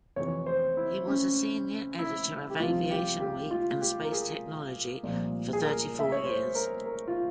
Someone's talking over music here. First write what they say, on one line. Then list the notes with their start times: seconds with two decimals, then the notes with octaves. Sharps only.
He was a senior editor of "Aviation Week and Space Technology" for thirty-four years.
0.16 F2 C3 E3 C#5
0.46 C5
0.77 E4
1.07 C#4
1.99 E4
2.50 G4
2.60 C2 C3 F3 F4
2.91 G4
3.20 G4
3.51 F4
3.81 G4
4.05 A#4
4.12 G#4
5.03 C2 A#2 F3
5.53 G#4
5.64 A#4
5.99 E5
6.12 C#5
6.25 C5
6.55 A#4
6.86 A#4
7.08 F4